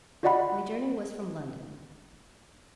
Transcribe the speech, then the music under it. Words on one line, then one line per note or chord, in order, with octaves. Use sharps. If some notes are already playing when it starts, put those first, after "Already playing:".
My journey was from London.
F4 F#4 D5 D#5 F#5 B5